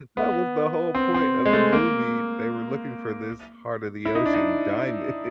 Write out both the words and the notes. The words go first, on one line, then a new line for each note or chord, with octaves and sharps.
that was the whole point of the movie. They were looking for this heart of the ocean diamond
B3
C4
C4
G#3
A3
A#3
E4
D#4
D4
D#4